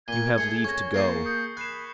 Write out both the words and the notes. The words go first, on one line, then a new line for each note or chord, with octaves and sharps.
You have leave to go....
A#2 C#6 G#6 D#7 G7
A3 G#4 C#7
C#4 C#6 A#6
A#3 G#4 A5 G6 A#6 C7
D#6 G6 C#7
G#5 B5 F#6 C7 E7